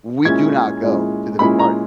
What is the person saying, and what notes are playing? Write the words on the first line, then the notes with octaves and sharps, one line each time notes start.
We do not go to the big party.
A#2 G#3 C#4 E4 G#6
A#2 G#3 C#4 E4
A#2 G#3 C#4 E4 B5
A#5